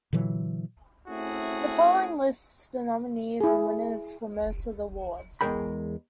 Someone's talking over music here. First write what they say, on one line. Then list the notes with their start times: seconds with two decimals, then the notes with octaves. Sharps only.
The following lists the nominees and winners for most of the awards.
0.13 A#2 D3 E3 F#3
1.08 A3 C4 C#4 E4 F#4 G#4
3.41 E4 G#4
5.41 E2 G#2 G#3 A#4 G5 B5